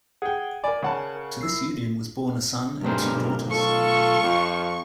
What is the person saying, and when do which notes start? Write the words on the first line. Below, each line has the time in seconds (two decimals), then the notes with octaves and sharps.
To this union was born a son and two daughters.
0.22 G#4 F#5 G5
0.64 A#4 D5 G#5
0.82 C#3 F#5 A5
1.16 A#4
1.41 E4 E6 C7
2.82 B1 G2 A3 A#4 C5
3.52 F4 A4 C#6
4.23 F2